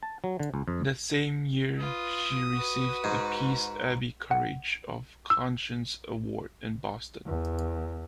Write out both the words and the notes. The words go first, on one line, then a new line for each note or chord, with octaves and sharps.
That same year she received the Peace Abbey Courage of Conscience Award in Boston.
A5
F#3
D3
C#2
F2
F4 B4 D#6
F#4 B4
G#2
F#5
E6
E2